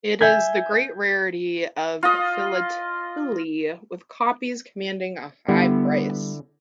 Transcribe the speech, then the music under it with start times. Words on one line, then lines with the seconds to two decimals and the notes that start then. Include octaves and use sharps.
It is the great rarity of philately with copies commanding a high price.
0.21 E5 G#5 G6 G#6
2.03 F4 D#5
5.49 D3 G3 B3 E4